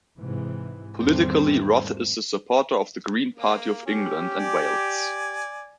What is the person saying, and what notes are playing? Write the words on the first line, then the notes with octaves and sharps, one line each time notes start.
Politically, Roth is a supporter of the Green Party of England and Wales.
G#2 C3 E3
E2 G#2 D#3 G3 A3 C4
A#3
C#4 G4
D5 G#5